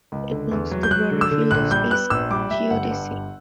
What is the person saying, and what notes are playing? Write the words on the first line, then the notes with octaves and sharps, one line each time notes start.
It belongs to the broader field of space geodesy.
C#2
D3
E2
F#3
G6
F#3 F#6
D3
E6
D3
A#1 F#6
G3 G6
B3 F#6
A#1 E6
G3 D6
G3 E5
G1 F#5
G2
G1